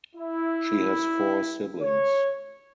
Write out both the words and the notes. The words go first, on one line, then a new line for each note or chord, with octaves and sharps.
She has four siblings.
E4
C#5